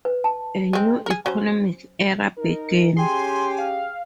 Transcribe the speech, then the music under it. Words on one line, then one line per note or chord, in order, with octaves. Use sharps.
A new economic era began.
B4
A5
G#3 C4
G#4 A#4
F#3 C#4 C5
D#4 A#4
C#4 G4 G#4 G5 G#5 C6
F5